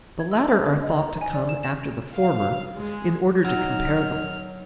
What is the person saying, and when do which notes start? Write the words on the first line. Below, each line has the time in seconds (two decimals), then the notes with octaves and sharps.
The latter are thought to come after the former in order to compare them.
0.20 G#6
0.31 E6
0.48 C5
0.66 C5
0.82 D#5
0.99 A#5
1.21 G#5
1.34 D5
1.49 E7
1.63 E7
2.15 F5
2.77 G#3
3.44 F#3 D#4 F6